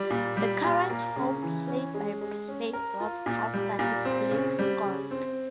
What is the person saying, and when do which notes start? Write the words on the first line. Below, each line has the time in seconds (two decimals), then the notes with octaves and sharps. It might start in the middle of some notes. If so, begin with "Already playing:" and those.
The current home play-by-play broadcaster is Blake Scott.
Already playing: G3
0.10 A#2
0.37 G3
0.64 A#2
0.90 A#3
1.16 C#3
1.42 E3
1.68 C#4
1.94 G#3
2.21 G#3
2.48 C#4
2.73 A#4
3.00 F4
3.26 A#2
3.54 G3
3.79 A#2
4.05 C4
4.32 C#3
4.59 G3
4.85 C#3
5.11 C4